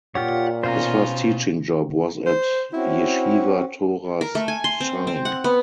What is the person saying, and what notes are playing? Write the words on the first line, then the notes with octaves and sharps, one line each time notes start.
His first teaching job was at Yeshiva Toras Chaim.
A#2 F4 G4 C#5 F#5
B2 C#4 F4 C5 F5 A#5
C5
C4 C#4 E4 F#4
A#4
A3
G#5
C6
C4
C4
F#5
B3